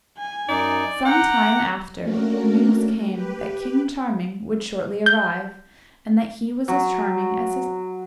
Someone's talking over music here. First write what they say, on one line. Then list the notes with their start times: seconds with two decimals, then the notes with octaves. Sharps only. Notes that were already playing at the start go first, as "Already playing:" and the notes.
Some time after, news came that King Charming would shortly arrive, and that he was as charming as his name.
0.18 G#5
0.48 F#2 D#4 D5
1.05 F#5 G5 A#5 D6
2.00 A3 A#3 C#4 D4 F#4 A#4
3.09 G4 B4
5.06 G6
6.68 F#3